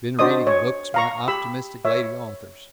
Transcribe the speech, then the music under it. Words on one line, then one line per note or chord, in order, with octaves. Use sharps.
Been reading books by optimistic lady authors.
D4 F#4 C5 D5 D#5 D#6
C#5
F5 A#5 C#6
G4 B5 E6
C#5 E5